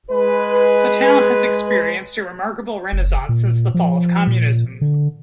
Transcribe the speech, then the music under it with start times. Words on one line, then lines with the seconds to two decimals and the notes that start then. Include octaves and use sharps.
The town has experienced a remarkable renaissance since the fall of Communism.
0.11 G#3 B4
2.92 F#1
3.29 A#2
3.74 F3
4.27 A#2
4.81 D3